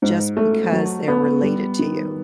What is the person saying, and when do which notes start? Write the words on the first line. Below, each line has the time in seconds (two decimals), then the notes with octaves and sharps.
just because they're related to you.
0.02 G#2
0.37 A3
0.72 F#3
1.08 B3
1.43 G3
1.79 D#3